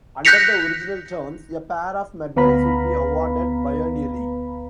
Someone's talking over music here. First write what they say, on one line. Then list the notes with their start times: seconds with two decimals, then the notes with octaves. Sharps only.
Under the original terms, a pair of medals would be awarded biennially.
0.25 F#6 G6 A#6 B6 C#7 F7
2.36 D2 B3 B4 F5 A#5 B5